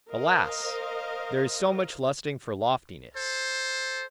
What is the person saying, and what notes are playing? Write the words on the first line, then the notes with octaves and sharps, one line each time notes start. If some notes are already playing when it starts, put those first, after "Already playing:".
Alas! there is so much lusting for loftiness!
A#4 C5 D#5 F5
A4 C5